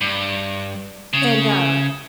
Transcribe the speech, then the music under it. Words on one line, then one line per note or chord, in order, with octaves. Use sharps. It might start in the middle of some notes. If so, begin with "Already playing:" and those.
And, uh,
G2
C#3